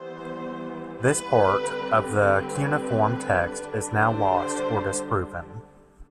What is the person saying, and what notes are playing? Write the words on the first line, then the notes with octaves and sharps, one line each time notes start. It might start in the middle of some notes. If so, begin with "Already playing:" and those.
This part of the cuneiform text is now lost or disproven.
Already playing: E3 G3 B3 C5
B4
D3 G3 C4
B4
D3 G3 D4
C5